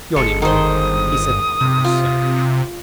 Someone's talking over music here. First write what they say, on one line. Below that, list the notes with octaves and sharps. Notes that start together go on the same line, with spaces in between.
Yawning wearily he set out on his search.
G1 G#3 A4 C#7
D#3 C5 D#6
C3
F4